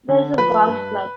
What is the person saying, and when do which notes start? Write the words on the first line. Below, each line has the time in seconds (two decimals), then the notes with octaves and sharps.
There is a golf club.
0.09 D3
0.38 F3 B4 B5
0.67 G2